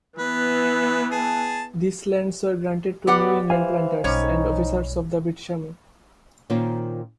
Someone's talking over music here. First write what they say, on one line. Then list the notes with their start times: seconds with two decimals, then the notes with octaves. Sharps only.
These lands were granted to New England Planters, and officers of the British army.
0.19 E3 B3 B4
1.12 G#4 A5
3.07 B3 G4 D5 F#5
3.50 E3 C5 F5 G#5
4.04 B1 G3 C#4 D#4 C#5
6.50 A#2 D#3 C#4 F4 C5